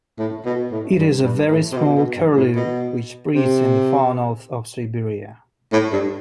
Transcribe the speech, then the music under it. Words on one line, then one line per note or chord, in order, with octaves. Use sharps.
It is a very small curlew, which breeds in the far north of Siberia.
A2
B2
A2
G2
G2
A2
C3
B2
B2
G2
A2
B2
C3
A2
G2